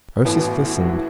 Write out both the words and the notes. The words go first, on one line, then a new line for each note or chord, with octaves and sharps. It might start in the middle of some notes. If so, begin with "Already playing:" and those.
Ursus listened.
A1 A2 E3 A3 B3
F#4
E4
F#4
E4
F#4
E4